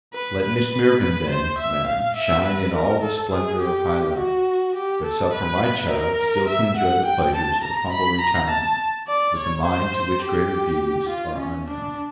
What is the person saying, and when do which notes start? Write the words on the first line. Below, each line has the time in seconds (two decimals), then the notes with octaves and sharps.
Let Miss Mirvan, then, Madam, shine in all the splendour of high life; but suffer my child still to enjoy the pleasures of humble retirement, with a mind to which greater views are unknown.
0.14 B4
0.43 B4
1.00 B4
1.29 C5
1.58 E5
1.87 F5
2.16 E5
2.44 B4
2.73 A#4
3.02 A4
3.31 G#4
3.60 G4
4.17 F#4
4.75 G4
5.04 A4
5.32 B4
5.90 A#4
6.48 E5
6.76 F#5
7.05 G5
7.34 A5
7.63 A#5
7.92 B5
8.21 A#5
8.49 A5
9.07 D5
9.36 C#5
9.65 C5
10.23 G4
11.09 F4
11.38 C#4
11.67 D4